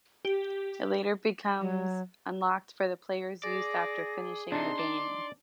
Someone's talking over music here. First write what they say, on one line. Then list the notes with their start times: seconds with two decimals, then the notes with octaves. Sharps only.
It later becomes unlocked for the player's use after finishing the game.
0.25 G4
1.60 F#3
3.43 G#4 D5 A#6
4.52 C3 C4 D4 D#4 C6
4.79 D5